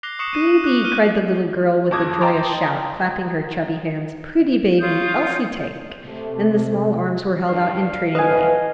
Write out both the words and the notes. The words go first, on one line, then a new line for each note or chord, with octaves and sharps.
"Baby!" cried the little girl, with a joyous shout, clapping her chubby hands, "pretty baby Elsie take"; and the small arms were held out entreatingly.
D6 F#6 A#6 C7 G7
C#6 D#6 C7 C#7 E7
C7 D#7
D6 F#6
F6 D#7 G7
F#1 F2 D6 D#6 G#6
D#5 G5 A5 A#5 C6 D6
F4 C#5 D#6 G6
C3 A3
G2 F5
F2 A2 E3 B4 D#5 G#5